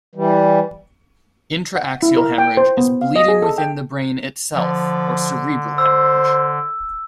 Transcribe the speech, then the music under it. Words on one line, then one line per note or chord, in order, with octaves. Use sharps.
Intra-axial hemorrhage is bleeding within the brain itself, or cerebral hemorrhage.
E3 G3
F#5
E4
A#4
G5
C5
B3
F5
D#5
G#4
A4
G5
D3 F3
C5 E6